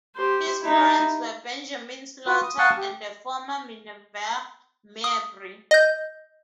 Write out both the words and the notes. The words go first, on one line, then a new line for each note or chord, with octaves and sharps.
His parents were Benjamin Slaughter and the former Minerva Mabry.
G4 C5
D#4 E4
F4 F#4 B4
D#6
F5 F#5 A5 C#6 D#6 F#6
G4
D#6
D#5 G6